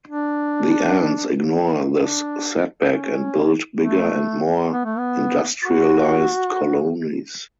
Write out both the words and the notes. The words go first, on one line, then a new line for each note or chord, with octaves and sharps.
The ants ignore this setback and build bigger and more industrialized colonies.
D4
D4
C#4
A3
B3
A3
B3
F#4